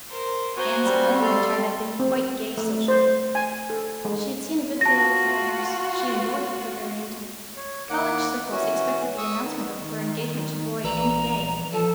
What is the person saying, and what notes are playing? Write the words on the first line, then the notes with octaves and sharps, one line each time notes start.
Anne's own winter had been quite gay socially. She had seen a good deal of the Gardners; she and Dorothy were very intimate; college circles expected the announcement of her engagement to Roy any day.
A#4 C5
B3 F#4 C5 G#5 A#5
G3 C#4
A4 F5 C6
C4
A3
C5
G#5
A4
G#3
F4 F#4 A5 A#6
C#5
D#3 A#3 F#5 D6
E3 C#4 F#4
C#6 D#6 E6
D#3 B3
D#3
A#1 E3 B4 D5 A#5
F3 A4 A5